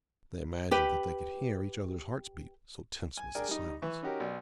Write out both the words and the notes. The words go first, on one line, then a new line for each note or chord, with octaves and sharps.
They imagined that they could hear each other's hearts beat, so tense was the silence.
G4 B4 G5
G#5
D4 G#4 A#4 D5 G5 G#5
G3 D#4
E3 E5 C#6
C#4 D#4 F#4 G4 A#4
B1 D5